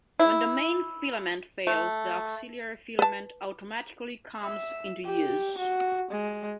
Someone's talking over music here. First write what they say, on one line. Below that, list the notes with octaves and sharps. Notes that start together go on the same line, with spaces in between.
When the main filament fails, the auxiliary filament automatically comes into use.
E4
A3
B4 A5
E5
G4
F#4
G#3